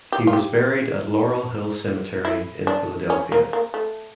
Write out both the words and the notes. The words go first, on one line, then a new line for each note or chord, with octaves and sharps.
He was buried at Laurel Hill Cemetery in Philadelphia.
G4
F4
G4
E4
D4
C#4
A#3
A#3
A3